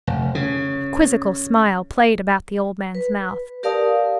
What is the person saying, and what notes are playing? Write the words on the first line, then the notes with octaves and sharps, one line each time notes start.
A quizzical smile played about the old man's mouth.
F1
C#3
B4
G4 A#4 D5 F5 A5 D#6